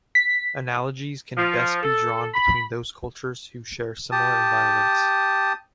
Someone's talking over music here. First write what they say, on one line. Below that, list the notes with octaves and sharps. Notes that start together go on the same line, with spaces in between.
Analogies can best be drawn between those cultures who share similar environments.
B6
F3
A4
B5
G4 A5 D#6